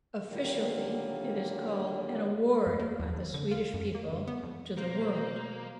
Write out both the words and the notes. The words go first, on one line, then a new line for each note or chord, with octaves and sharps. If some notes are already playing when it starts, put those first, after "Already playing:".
Officially it is called "An award by the Swedish people to the world".
A#2 D3 D#3 F#3 G3 A#3
F#2
A#3
E2
D#2
D3
F4
F#2
A#3
D2
B3
F2
B2 A#3 C5